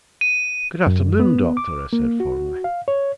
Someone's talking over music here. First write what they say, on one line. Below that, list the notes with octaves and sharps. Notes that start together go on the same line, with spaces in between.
"Good afternoon, Doctor," I said formally.
D#7
F#2
B3
D6
A#3
F#4
F5
C#5